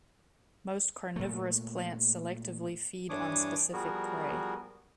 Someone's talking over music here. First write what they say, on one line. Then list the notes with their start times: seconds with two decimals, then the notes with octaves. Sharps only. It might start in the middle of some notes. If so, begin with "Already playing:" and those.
Most carnivorous plants selectively feed on specific prey.
1.16 A#2 A3
3.10 G2 E3 D4 C#5 D6 D#6
3.73 F3 G3 B3 F#4 G#4 A#4